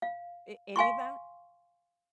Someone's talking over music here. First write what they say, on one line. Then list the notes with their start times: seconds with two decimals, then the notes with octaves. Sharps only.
A any of that?
0.02 F5
0.76 F5 G#5 C6 C#6